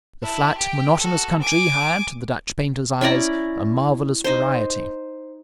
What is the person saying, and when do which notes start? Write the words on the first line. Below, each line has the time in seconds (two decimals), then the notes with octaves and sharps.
The flat, monotonous country had, to the Dutch painter's eyes, a marvelous variety.
0.23 E4 A5
0.58 G4 G5
1.00 F#4 A4
1.41 G#5 D6
3.01 C#4 E4 D5 A#5
4.24 D#4 C5